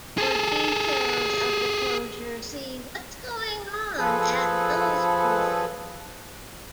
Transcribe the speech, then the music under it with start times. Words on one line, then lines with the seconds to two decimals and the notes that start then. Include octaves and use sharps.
For details of the closure, see 'What's Going on at Wellesbourne?'.
0.18 G#4 A4
3.98 F3 G#4 A4 B4